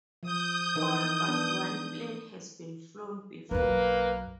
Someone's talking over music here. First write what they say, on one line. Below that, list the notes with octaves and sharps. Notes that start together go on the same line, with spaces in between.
All but one plane has been flown before.
F3 D#6 G6
E3 D#4 A#4
B3 D4
B1 F#2 A#3 B4